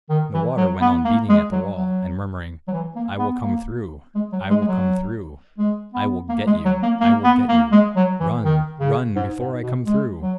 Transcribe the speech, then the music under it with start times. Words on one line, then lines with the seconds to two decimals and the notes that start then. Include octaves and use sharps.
And the water went on beating at the wall, and murmuring, "I will come through, I will come through, I will get you, I will get you, run--run--before I come through!"
0.10 D#3
0.34 E3
0.57 F#3
0.81 B3
1.04 A#3
1.29 G#3
1.52 F#3
1.76 F#3
2.68 F#3
2.72 E3
2.96 A#3
3.19 B3
3.43 A#3
4.15 G#3
4.32 F#3
4.50 G#3
4.61 G#3
4.68 F#3
5.58 G#3
5.94 B3
6.29 A#3
6.47 G#3
6.65 F#3
6.83 A#3
7.01 A#3
7.24 B3
7.49 A#3
7.72 G#3
7.96 F#3
8.20 E3
8.45 D#3
8.80 C#3
9.15 G#2
9.40 G#2
9.63 B2
9.86 G#3
10.23 F#3